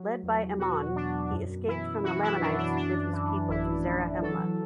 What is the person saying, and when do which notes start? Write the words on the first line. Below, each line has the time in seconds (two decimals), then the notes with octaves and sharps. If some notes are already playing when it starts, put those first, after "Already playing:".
Led by Ammon, he escaped from the Lamanites with his people to Zarahemla.
Already playing: F#3
0.23 E2
0.59 B2 F#4
0.95 B2 D4
1.32 F#2
1.68 E3 E4
2.04 E3 F#4
2.23 E4
2.41 F#2 D4
2.59 D4
2.76 E3 D4
3.13 E3
3.49 A1 E4
3.86 E3
4.22 F#3 A4